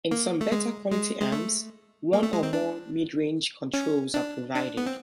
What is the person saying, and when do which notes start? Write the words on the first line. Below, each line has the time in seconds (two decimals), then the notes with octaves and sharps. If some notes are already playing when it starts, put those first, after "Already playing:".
In some better quality amps, one or more midrange controls are provided.
0.11 A#3
0.41 A3
0.52 G#3
0.92 G#3
1.21 G#3
1.32 A3
2.13 A#3
2.23 A3
2.33 G#3
2.43 C4
2.53 D4
3.74 C#4
4.14 D4
4.54 D4
4.77 B3
4.86 C4